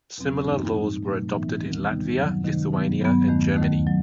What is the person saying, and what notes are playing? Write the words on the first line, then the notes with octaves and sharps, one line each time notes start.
Similar laws were adopted in Latvia, Lithuania and Germany.
E2 B2 F#3 C4
G2 E3 A3 C4 D#4
A2 G3 D#4
B2 F#3 A3
A2 E3 B3 D#4
D#2 D#3 G3 C4
C3 D#3 G3 B3 D#4
F#2 D#3 F#3
C3 D#3 A3 D#4
G2 F#3 B3
G2 F#3 B3
E2 D#3 A3
D#2 D#3 A3
F#3